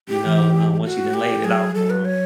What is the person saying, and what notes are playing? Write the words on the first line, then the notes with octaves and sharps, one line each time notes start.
you know, uh, once you done laid it out for 'em.
G4
E3
F#4
G4
F#3 G#4
F#3 A4
B4
C#5